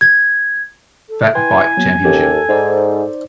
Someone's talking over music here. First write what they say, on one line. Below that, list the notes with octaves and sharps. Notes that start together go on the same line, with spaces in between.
Fat Bike championship.
G#6
A4
E4 B4 G5 G#5 C6
F#3 A#3 B3
D#2 C#4 G4 A4 G5
G#2 D#4 C5 D5